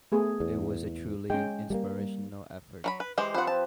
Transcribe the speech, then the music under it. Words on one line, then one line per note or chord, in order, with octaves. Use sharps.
It was a truly inspirational effort.
A3 B3 G#4
E2
G#3 C#4 G5
G3 A3 A#3
F#3 A#5 B5
B4
E3 G#3 G4 C5
F3 C4 B4 C5 F#5
A5